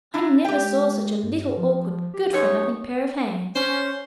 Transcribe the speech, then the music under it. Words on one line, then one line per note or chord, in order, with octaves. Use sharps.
I never saw such a little awkward, good-for-nothing pair of hands.
D4 E4 A#5
G#3 G4 G5
G2
F3
G4
F#2 D#4 C#5
C#4 C5